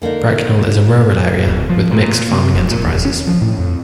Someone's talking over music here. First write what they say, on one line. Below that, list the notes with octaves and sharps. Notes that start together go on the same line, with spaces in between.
Bracknell is a rural area with mixed farming enterprises.
D3 A#3 D4 D#4
D1
F3
A#2
A#2
C3
F1
A#2
D#1
C#4
F3
A2
F2